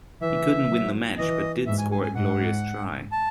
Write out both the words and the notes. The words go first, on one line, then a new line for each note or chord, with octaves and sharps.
He couldn't win the match but did score a glorious try.
E3 E5
F#3
E3 D#5
G#2 E5
G#5
G#5
G#5
G#2 F#5
A5